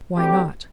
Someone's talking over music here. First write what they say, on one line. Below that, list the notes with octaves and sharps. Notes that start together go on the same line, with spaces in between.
"Why not?"
D2 C3 G3 C4 G4